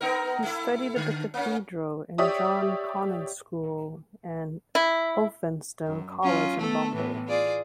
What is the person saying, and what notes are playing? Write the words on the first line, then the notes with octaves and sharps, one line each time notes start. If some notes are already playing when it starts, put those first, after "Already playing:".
He studied at The Cathedral and John Connon School and Elphinstone College in Bombay.
B3 D#4 A#4
A3 E4
D3
A#3 C#4
G4 C#5 D5 E5 D#6
E4
F#2
F#3 C#4 F4
A3 B3 A4
A2 E3 B3
F4 G#4 D5